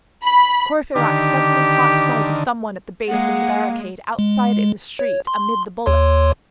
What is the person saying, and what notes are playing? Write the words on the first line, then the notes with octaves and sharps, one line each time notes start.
Courfeyrac suddenly caught sight of some one at the base of the barricade, outside in the street, amid the bullets.
B5
D3 D#3 G4
G#3 A#3 F#5
G#3
C#5
C6
D#2 C#5 C6